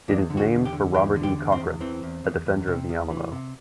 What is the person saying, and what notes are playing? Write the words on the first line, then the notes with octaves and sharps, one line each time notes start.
It is named for Robert E. Cochran, a defender of the Alamo.
E2 D4
D3
F#4
E2
G4
D3
E2 G4
D3
G4
E2
C4
E2
E3 C4
E2
E2
E2
C3
E2
E3
C3